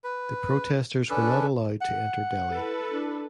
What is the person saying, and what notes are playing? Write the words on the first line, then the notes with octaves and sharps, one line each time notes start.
The protesters were not allowed to enter Delhi.
B4
C#4 D4 A4 B4
F#5
E4 A4 B4
D4